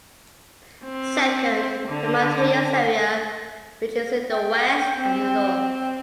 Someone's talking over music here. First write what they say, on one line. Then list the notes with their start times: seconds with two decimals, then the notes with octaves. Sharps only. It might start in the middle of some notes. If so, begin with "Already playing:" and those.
Second, the mountainous area which is in the west and the north.
0.85 C4
1.88 D3
4.31 G5
4.97 C4